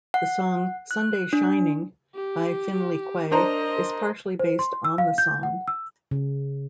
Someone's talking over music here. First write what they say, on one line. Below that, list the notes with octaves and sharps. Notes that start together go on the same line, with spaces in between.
The song "Sunday Shining" by Finley Quaye is partially based on the song.
F#5
F#6
D4
G4
D4 A#4 C5 D#5 A#5
C5
C6
E6
F5
G6
F#5
E6
C#3